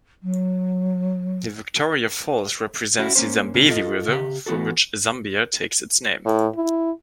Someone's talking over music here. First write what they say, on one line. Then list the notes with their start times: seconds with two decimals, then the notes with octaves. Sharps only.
The Victoria Falls represents the Zambezi river, from which Zambia takes its name.
0.23 F#3
2.99 C#4 E4 F#4
3.15 A#3 C#4 C5
3.54 C#2 B2 C#4
3.69 F4 A4 D#5
4.08 C#3 G4
4.46 E3 B3 F#4 A4
6.26 A2
6.56 E4